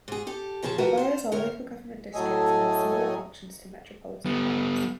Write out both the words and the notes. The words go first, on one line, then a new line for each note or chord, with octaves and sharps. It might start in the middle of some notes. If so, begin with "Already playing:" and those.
The boroughs are local government districts and have similar functions to metropolitan boroughs.
G#2 G#4
G4 A4
A#2 C#3 F3 G#4 B4 A5
E3 F3 F#4 A#4 B4
C5 F5
D2 A2 A#4 C#5
A2 F#3 A3 A4 D#5 G#5
G3 B3